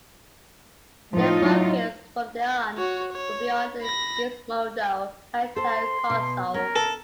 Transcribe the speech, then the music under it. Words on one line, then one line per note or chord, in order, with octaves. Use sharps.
Their focus from then on would be on the Gizmondo handheld console.
A2 F3 A3 D#4 F4
F#3 E4
F#4 C#5
C#5
B5 A#6
A4 C5 C6
B2
C#4 A#4
A4